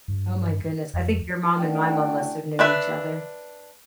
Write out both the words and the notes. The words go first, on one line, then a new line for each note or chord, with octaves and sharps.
Oh my goodness, I think your mom and my mom must have known each other.
G2
F2
A3 C#4 D4 E4 F#4 G5
D4 B4 E5